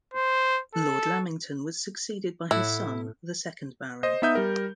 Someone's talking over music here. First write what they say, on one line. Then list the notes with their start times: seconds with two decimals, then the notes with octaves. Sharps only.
Lord Lamington was succeeded by his son, the second Baron.
0.14 C5
0.75 A4
2.51 A2 E4 F#5
4.03 C5 D#5
4.22 B3 D#4 E5 D#6 G6
4.35 G3 A#4